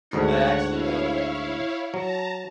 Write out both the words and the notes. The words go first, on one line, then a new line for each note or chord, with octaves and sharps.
I actually know, like,
D2 G#2 D3 C#5 F#5
E4 C#5 F5
F#3 A5 A#5